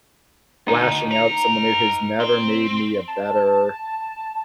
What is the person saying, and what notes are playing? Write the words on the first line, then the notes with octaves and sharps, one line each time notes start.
lashing out at someone, it has never made me a better,
D2 D#4
B4 A#5
C4
A5